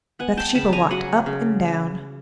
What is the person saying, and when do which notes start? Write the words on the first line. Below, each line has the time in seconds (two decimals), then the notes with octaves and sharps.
Bathsheba walked up and down.
0.19 B3 F#5 G#5
0.37 G5 A5
0.55 C#3 A5 B5
0.73 G#5 A#5
0.91 F#3 F#5 G#5
1.26 C#3